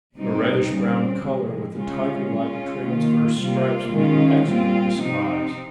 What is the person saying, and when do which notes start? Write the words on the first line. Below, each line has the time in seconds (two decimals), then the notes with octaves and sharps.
Her reddish-brown colour with the tiger-like transverse stripes made an excellent disguise.
0.16 C3 G3 C4 D#4
0.70 C#3 G3 C4
1.23 C3 F3 G#3
1.77 C#3 G#3 C#4 F4
2.31 C#3 G#3 C#4 F4
2.84 D#3 A#3 F4
3.38 C3 G3 A#3 F4
3.92 D#3 G#3 C#4 F4
4.45 A#2 G3 C4 F4
4.99 C3 F3 C4 D#4